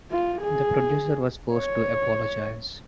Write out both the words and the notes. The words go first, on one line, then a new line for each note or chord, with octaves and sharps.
The producer was forced to apologize.
F4
G#4
C#5